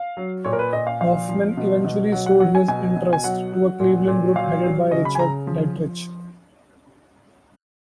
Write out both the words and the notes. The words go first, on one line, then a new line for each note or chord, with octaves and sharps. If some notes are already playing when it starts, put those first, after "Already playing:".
Hoffman eventually sold his interest to a Cleveland group headed by Richard Dietrich.
Already playing: F5
F#3
A#2 C#5
A#4
B4
A#2 D#5
F5
F3 F5
F3
B2
B2
F#3 F#5
F#5
F#3 F#5
G#5
B2 G#5
B2
G#5
F#3 F#5
F#3
A#2
A#2
F#3 F5
F#3
C#3 D#5
B5
G#5
C#3 A#5
F3
F3